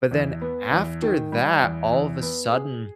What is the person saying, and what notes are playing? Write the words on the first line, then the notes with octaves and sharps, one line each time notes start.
But then after that, all of a sudden,
E2
B3
E2
D#3
G3
E2
E2
B3
G#4